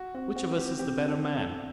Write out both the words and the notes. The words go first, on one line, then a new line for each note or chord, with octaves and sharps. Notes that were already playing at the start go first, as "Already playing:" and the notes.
Which of us is the better man?
Already playing: F#4
C4 F#4
C4 F#4
C4 G4
C4 G4
A4
A4